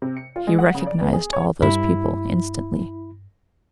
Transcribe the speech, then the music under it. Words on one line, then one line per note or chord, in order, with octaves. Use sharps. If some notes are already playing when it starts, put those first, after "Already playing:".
He recognized all those people instantly.
C3
C#7
F4
G#3
F#5
C#3
D5
B3
G#4
C#5
G2 E4 B5